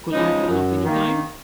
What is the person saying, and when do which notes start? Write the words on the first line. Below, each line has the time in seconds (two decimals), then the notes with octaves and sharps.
Collateral of any kind?
0.12 C#3 F3 G#3 D#4
0.49 F#2
0.85 D#3 A#3